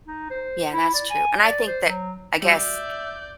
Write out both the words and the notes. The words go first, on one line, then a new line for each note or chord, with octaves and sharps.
Yeah, that's true. And I think that, I guess,
D#4
C5
E4
D5
G#5
D5
C5
F#3
G3 F#4 D5 E5 G6